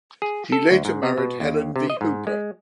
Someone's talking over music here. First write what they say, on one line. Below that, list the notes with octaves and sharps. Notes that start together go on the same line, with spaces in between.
He later married Helen V. Hooper.
G#4
A4
D2
G#2
C3
B2
D#2
C3
D#5
G#2
G#3